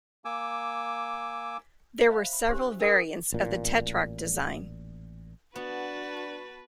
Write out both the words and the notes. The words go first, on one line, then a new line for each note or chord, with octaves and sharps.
There were several variants of the Tetrarch design.
A#3 G#5 D6 E6
C5 E5 F5 B5
B5
D4 G4 C5 C6
D4 A#4 G5 B5 D#6
A1 A#2
B3 D4 F#4 B4 A5